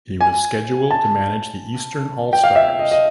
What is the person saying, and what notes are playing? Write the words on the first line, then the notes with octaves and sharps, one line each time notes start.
He was scheduled to manage the Eastern All-Stars.
G#5
A5
G5
F5
E5
D#5
D#5